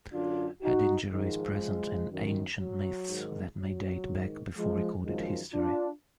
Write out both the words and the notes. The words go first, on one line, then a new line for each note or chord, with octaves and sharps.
Head injury is present in ancient myths that may date back before recorded history.
F#2 D3 D4 F4
D#4 F#4
G#2 D#3 F3 G#3
F#2 D#3
F#3
G#2 D#3
F#3
G#2 D#3
F3 G#3
F#2 D#3 F3 G#3
D4 F4